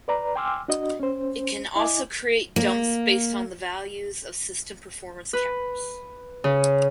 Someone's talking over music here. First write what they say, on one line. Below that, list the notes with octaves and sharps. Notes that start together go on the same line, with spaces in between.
It can also create dumps based on the values of system performance counters.
B4 D5 A#5
G5 G#5 C6 D6 E6 F6
D4 F#4 D#5
C#4 C5
E4 D#5 G#5 D6
A#3
B4
C#3